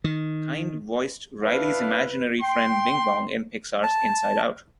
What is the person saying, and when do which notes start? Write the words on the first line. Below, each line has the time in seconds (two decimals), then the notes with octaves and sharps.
Kind voiced Riley's imaginary friend Bing Bong in Pixar's "Inside Out".
0.04 D#3
1.43 D4 E4 B4 F5
2.41 G5 C6
3.83 A5